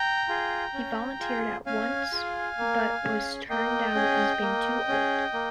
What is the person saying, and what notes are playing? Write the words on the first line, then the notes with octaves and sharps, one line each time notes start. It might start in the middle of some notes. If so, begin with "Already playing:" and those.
He volunteered at once but was turned down as being too old.
Already playing: G5 A#5
F4 G#4
C#4
F4 G#4
C#4 F5 G#5
F4 G#4
A#3
C#4 G#4
A#3 D#5 G5
C#4 G#4
A#3
C#4 G#4
A#3